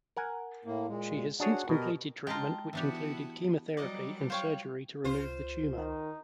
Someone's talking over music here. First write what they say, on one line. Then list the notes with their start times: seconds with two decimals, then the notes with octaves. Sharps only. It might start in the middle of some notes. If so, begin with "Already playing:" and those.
She has since completed treatment, which included chemotherapy and surgery to remove the tumor.
0.17 A#4 F#5 G#5
0.65 A2 A#3
0.88 A#2 G#3
1.40 D4 F#4 G#4 C#5 F#5
1.69 B2 G3 A#4 D#5
2.27 G#3 F4 G5 A5 A#5
2.73 E3 B3 D4 E4 F#4 G4
3.77 F#3 G3 D5 D#5 A#5
4.30 F4 C5 C#5 G5
5.04 C#2 F4 C5
5.77 D#3 D#4